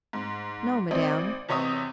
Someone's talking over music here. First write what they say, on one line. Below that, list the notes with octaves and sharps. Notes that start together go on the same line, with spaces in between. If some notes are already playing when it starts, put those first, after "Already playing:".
"No, Madame."
G#2
G#1 C4 D5 D#5
E2 C3 C#5 D#5 D#6